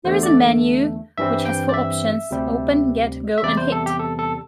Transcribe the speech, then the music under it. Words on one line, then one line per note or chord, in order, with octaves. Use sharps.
There is a menu which has four options, open, get, go, and hit.
E2 D3 A3 C5
D5
G2 E3 G3 C4 E5
G5
D5
E5
D2 C3 G3 C4
E5
E2 C3 G3 D5
C5
A4
G4
A4
A4